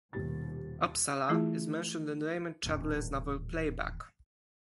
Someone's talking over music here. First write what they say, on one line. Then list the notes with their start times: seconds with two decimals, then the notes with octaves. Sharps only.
Uppsala is mentioned in Raymond Chandler' s novel "Playback".
0.13 D#1 D#2 B2 G4 A6
1.29 E3 A3 E4 F4 G#4
2.63 D#1 A1